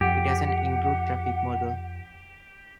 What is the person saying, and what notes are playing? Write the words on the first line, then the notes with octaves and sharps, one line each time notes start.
It has an improved traffic model.
F2 G4 F#5